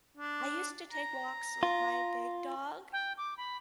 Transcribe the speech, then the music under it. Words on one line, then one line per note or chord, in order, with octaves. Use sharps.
I used to take walks with my big dog,
D4
A#5
F4
G5
D6
B5